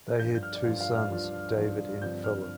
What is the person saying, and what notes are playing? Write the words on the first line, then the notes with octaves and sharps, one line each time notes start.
They had two sons, David and Filip.
G2 F3 D4 F4 G6
G6
F6
D5
G2 F3 D4 F4 F5
F5
F6
G2 F3 D4 F4
G2 F3 D4 F4
G2 D3 F3 C4 G6
F6